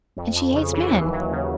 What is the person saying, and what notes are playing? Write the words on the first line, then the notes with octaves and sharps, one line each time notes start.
And she hates men!
F2
F2
C#3
E3
D#2
F#3
C#3